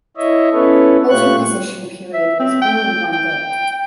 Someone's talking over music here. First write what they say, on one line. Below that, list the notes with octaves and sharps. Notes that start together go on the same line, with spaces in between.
Oviposition period is only one day.
E4 C#5 D#5 E5
B3 C#4 E4 A4 B4 C#5
A#2 A3 F4 G4 C#6 F#6
E5
C4
G5
G5